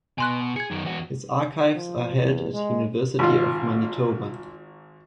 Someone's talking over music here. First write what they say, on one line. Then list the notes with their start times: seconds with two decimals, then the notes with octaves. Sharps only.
His archives are held at University of Manitoba.
0.18 B2 G#5 C6 F#6
0.56 G#4 G#6 C#7
0.71 F#2 D#3
0.85 E2 F#4
1.75 F3
2.18 E2
2.53 G#3
3.19 G#1 F4